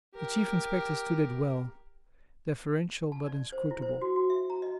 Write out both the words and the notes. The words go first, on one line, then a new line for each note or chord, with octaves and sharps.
The Chief Inspector stood it well, deferential but inscrutable.
G4 A#4
A5
D5
C5
E4
C5
F#4
F#4
E5
A#5
D#5